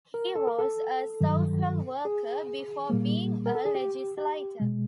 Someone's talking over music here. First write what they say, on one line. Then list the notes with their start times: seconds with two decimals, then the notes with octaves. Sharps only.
He was a social worker before being a legislator.
0.14 A#4
0.35 A4
0.47 A#4
0.59 A4
1.21 G2 D#3 F#3
2.05 G#4
2.90 A#2 G3 A#3
3.46 A#4
3.55 A4
3.65 G#4
3.75 G4
4.18 G4
4.60 B2 G#3